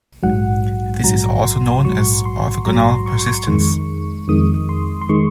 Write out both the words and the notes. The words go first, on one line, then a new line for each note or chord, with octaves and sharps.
This is also known as orthogonal persistence.
A#1 G#2 F#3 F#5
A#1 G#2 F#3 A#5
C6
A#1 G#2 F#3 C#6
C6
A#1 G#2 F#3 A#5
C6
C#6
C6
C#6
F2 D#3 G#3 C#6
F2 D#3 G#3 D#6
C6
C6
D#3 G#3 C#6